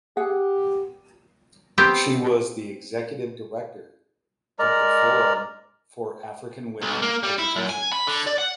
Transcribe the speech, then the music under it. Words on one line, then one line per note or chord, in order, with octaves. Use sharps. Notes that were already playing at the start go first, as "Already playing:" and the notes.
She was the Executive Director of the Forum for African Women Educationalists.
G4 G#4 F#5
B3 C4 G4 G5
G#3 A#4 D5 A#5
B1
A#3
G3
E4
F#2
G#5
B5
D3
D5
F#5